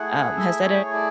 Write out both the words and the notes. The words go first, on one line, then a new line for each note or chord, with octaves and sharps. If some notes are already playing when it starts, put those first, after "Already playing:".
um, has that
Already playing: A3 E4 G#4 F#5
E5
C#5
D5